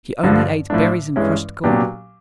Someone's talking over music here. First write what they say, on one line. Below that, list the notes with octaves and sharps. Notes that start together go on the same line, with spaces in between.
She only ate berries and crushed corn.
G2 D3 F3
A2 F3 A3 D4
G2 E3 G#3 C#4
A#2 F#3 B3 D4 G4